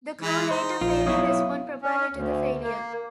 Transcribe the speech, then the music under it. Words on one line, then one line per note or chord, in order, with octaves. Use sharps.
The crew later failed to respond properly to the failure.
E3 G#3
D#4 C5 C6
A#1 F4
F#2 B2 E4 C#5 F5 D#6
C#4
D2
A#3